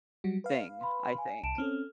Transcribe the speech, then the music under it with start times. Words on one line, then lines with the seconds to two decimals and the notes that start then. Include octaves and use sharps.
thing, I think.
0.24 F#3 G3 F#4
0.44 B4 F5
0.81 B5 C6
1.18 G#5
1.43 C2 A5 D7 E7
1.58 C4 C#4 A4 F6